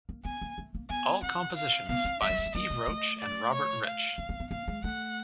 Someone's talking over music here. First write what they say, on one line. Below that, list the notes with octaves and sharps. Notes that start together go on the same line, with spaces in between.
All compositions by Steve Roach and Robert Rich.
A#3
B3 G#5
A#3
A3
A#3
B3 G#5
C4 F#5
F5
B3 F5
C4
G#3 E5
F#3
G#3
A3
A#3 D#5
A3
A3
D5
C#5
F5
A#3
A#3
B3
A#3 F5
G#3
A3 F#5